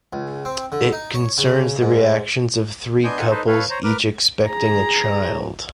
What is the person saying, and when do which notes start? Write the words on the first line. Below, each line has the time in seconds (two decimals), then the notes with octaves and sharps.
It concerns the reactions of three couples each expecting a child.
0.13 C#2
0.45 C4
0.72 D3
0.92 D#4
1.14 C#5
1.38 C#3
1.82 G#2
3.04 B3 D4 D#5 G#5 C6 G6
3.18 C4 D#4 F4 F#5 G#5
3.30 D#4 A4 B4 C5 D#5
3.47 A4 B4 C#5 F5
3.70 C5 C#5 A#5
3.84 A#4 B4 D6 F6
4.47 G#4 A#5